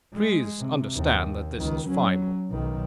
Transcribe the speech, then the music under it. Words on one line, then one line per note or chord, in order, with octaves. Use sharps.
Please understand that this is final.
G#3
C3
D#2
C#2 D#3
F#3 C#4
B1 D#3